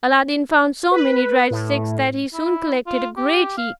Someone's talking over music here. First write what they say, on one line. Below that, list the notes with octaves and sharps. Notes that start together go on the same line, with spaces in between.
Aladdin found so many dried sticks that he soon collected a great heap.
B4
A2
E4
F4
G4
F5